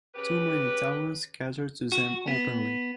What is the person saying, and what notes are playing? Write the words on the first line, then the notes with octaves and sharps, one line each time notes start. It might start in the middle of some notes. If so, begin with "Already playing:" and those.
Too many taverns cater to them openly.
C#3 G4 B4
F#4
B3